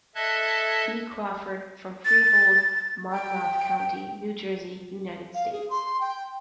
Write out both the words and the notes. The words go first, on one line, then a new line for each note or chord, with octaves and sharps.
B. Crawford from Freehold, Monmouth County, New Jersey, United States.
A4 D#5 E5 A5 F#6 G#6
A6
G5
F5
G#4
C6
G5